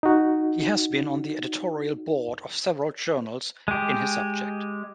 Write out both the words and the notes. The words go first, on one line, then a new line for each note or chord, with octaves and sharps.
He has been on the editorial board of several journals in his subject.
D#4 F#4
G#3 G4